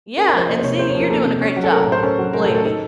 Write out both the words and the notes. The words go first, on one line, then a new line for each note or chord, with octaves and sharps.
Yeah, and see, you're doing a great job, believe me.
C#4 A#4
A#4
F3 C5
A#3 D#5
C5
C3 C#5
C#4 C5
C#5
F3
A#4
A#3 A4
C3
C#4
F#3
A4
A3 A#4
A#4
A2 C5
C#4 A4
F#3
A3 A#4
A4
A2
A4
D#4 A4